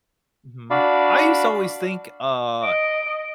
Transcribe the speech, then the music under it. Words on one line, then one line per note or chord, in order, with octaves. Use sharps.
Mhm. I used to always think, uh,
D4 F#4 D5 F5 B5
D#5 D7